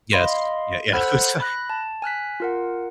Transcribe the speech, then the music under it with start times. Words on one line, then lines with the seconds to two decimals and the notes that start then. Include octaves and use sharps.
Yes. Yeah, yeah. I'm sorry
0.13 D#5 F5 B5 C6
0.93 A4 C5 F#5 B5 F6 F#6
1.41 B5 F#6 A#6
1.70 A5
2.02 G#5 F6 F#6 B6
2.40 F4 A#4 F#5